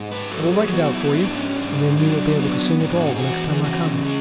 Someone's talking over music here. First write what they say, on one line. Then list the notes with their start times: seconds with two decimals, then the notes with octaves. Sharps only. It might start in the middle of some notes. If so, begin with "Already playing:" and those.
"I will write it out for you, and then you will be able to sing it all the next time I come."
Already playing: G#2
0.11 B4
0.31 F#3 A4
0.52 G#4
0.66 G#4
0.73 B3 F#4
0.94 E4
1.15 G#2 D4
1.35 C#4
1.56 G#2 D4
1.97 F#3 D4
2.39 B3 D4
2.80 G#2 D4
2.96 G#4
3.01 F#4
3.16 G#4
3.21 E2 F#4
3.52 G#4
3.63 C#3 F#4
4.04 G#3